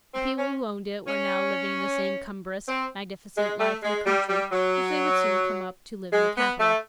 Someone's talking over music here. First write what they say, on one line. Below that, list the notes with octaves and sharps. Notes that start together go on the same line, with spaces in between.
The people who owned it were now living the same cumbrous, magnificent life in the country which they would soon come up to live in the capital.
C4
C#4
C#4
C4
G#3
A3
G#3
G3
G3
F#3
G#3
B3
A3